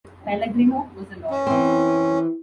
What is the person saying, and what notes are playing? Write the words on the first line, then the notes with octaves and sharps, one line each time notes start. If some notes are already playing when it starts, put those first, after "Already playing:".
Pellegrino was a lawyer.
C#4
E3 C4